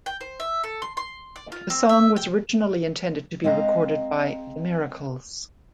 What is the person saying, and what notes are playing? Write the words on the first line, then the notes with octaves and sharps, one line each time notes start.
The song was originally intended to be recorded by The Miracles.
G5
C5
E5
A4
C6
C6
D5
F4
C4
E5
G5
G#3 C4 D#5 F5 A#5